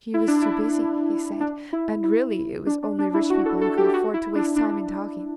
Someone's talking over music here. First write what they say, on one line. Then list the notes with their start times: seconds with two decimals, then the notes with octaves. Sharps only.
'He was too busy,' he said, 'and really it was only rich people who could afford to waste time in talking.'
0.14 E4
0.28 D4
0.42 E4
1.40 D4
1.73 E4
2.04 E4
2.67 D4
2.83 D4
2.99 D4
3.14 E4
3.30 F#4
3.46 A4
3.61 A4
3.77 G4
3.94 F#4
4.14 E4
4.35 D4
4.56 D4